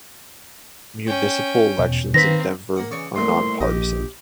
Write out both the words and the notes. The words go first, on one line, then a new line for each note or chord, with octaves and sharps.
Municipal elections in Denver are nonpartisan.
C#4 G5
E2 B2
D#3 A#3 C4 B4 A#6 B6
A#3 F#5
C#3 E3 D5 C#6
C2 A#2 A3 C6
A#1 G4 D#5